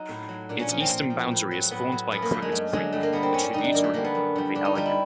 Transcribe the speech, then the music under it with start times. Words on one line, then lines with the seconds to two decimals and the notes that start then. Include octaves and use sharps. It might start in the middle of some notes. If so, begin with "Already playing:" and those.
Its eastern boundary is formed by Crooked Creek, a tributary of the Allegheny.
Already playing: F#3 D#4
0.09 A2
0.28 F#3
0.49 A#2 D4
0.59 C#4
0.70 F3 C#4
0.80 C4
0.90 A#2
1.10 F3
1.31 A2
1.51 F#3
1.71 A2 B3
1.92 F#3
2.12 F#2 B3
2.22 A#3
2.32 D3 F#3 A3
2.42 G#3
2.52 F#2 A3
2.73 D3 F#3 G#3
2.92 G2 A3
3.03 A#3
3.12 D3 G3 B3
3.23 C4
3.33 G2 C#4
3.43 D4
3.53 D3 G3 D#4
3.64 D4
3.74 F#2 A#3
3.84 A3
3.93 D3 G3 A#3
4.04 B3
4.15 F#2
4.36 D3 G3
4.55 G2 D4
4.65 D#4
4.75 D3 G3 F4
4.85 E4